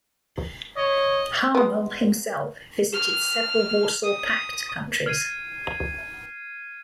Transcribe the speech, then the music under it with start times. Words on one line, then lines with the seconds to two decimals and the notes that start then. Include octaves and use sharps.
Harmel himself visited several Warsaw Pact countries.
0.77 C#5 D#5
1.55 G#3 B3
2.93 F6
4.04 D#6
5.06 F6 G#6 C7 D#7